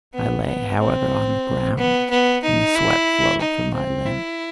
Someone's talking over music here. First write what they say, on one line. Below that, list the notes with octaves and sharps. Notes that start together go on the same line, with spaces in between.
I lay, however, on the ground, and the sweat flowed from my limbs.
B3
B3
C4
B3
B3
D#4
E4
D#4
C4
E4